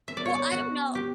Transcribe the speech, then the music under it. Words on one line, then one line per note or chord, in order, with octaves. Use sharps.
Well, I don't know
B3 E5
D5
C#5
D5
F#4
G4